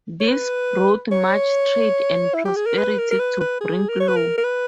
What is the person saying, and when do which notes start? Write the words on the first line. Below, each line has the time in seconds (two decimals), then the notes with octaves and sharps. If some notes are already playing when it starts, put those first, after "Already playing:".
This brought much trade and prosperity to Brinklow.
0.20 C#5
0.28 B4
1.12 C#5
2.34 E4
2.45 G4
2.56 G#4
2.66 A#4
2.78 B4
2.98 A#4
3.11 A#4
3.19 B4
3.40 B4
3.60 G#4
3.89 A#4
4.00 C#5
4.08 B4
4.16 A#4
4.37 A#4
4.44 B4